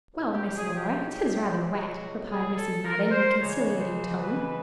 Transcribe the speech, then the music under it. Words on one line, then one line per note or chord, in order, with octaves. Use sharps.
"Well, Miss Laura, it is rather wet," replied Mrs. Madden, in a conciliating tone.
C#2 B2
G4
G#4
G4
F#4
G#4
A4
A#4
C5
C#2 C#3 E3 C#5
C5
B4